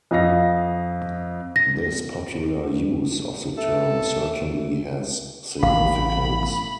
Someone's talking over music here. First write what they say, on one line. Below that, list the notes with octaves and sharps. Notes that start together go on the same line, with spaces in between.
This popular use of the term certainly has significance.
F2 D#5 F5 A#6
A#6
A4 E5
A1 C#3 F5 B5